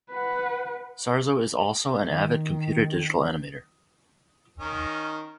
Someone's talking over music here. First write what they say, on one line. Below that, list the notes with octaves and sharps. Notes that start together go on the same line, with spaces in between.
Sarzo is also an avid computer digital animator.
B4 F#5
D#3
D#3 C#4 D#4